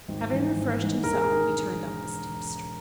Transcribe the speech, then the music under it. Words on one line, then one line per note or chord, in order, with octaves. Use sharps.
Having refreshed himself he turned up the steep street.
G#1
G#2 E3
G#1
G#2 E3
E1 A#4
G#4
A#4
D#3